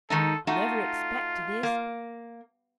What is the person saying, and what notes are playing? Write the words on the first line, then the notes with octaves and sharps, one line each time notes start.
I never expected this.
D#3 G#3 D#4 A4
A3 D#4 F4 F#4
A#3